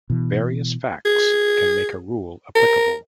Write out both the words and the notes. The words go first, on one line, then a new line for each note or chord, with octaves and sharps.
Various facts can make a rule applicable.
B2 E3
G#4
A#4